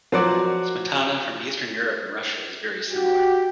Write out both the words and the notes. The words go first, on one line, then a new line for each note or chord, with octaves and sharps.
"Smetana" from Eastern Europe and Russia is very similar.
F3 F#3 F#4 D5
F#4 G4